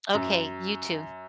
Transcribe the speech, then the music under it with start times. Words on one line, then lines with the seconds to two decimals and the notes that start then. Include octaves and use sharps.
Okay, you too.
0.14 F#2